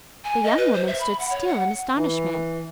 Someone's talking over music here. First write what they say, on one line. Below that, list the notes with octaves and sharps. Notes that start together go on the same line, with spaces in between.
The young woman stood still in astonishment.
G#5
D#5
B4
C5
E5
B5
F#5
C#5
F#5
E3